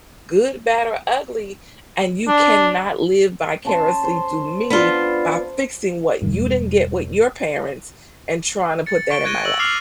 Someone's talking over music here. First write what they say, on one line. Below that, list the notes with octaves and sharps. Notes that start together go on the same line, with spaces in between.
good, bad, or ugly, and you cannot live vicariously through me by fixing what you didn't get with your parents and tryna put that in my lap.
D4
C#4 A5 C6
C5
B3 D4 F4
E1 G2
A6 C#7
C#6 D7 G7
C#6 F#6 G#6 A#6 D#7 G7
E6 F#7
D6 F6 C7 F7